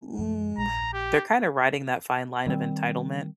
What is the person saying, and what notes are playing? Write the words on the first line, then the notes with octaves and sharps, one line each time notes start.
mm, they're kinda riding that fine line of entitlement,
F#2 F3 G#3
A#1 A#5
G4
D#3 G3 G#3 C4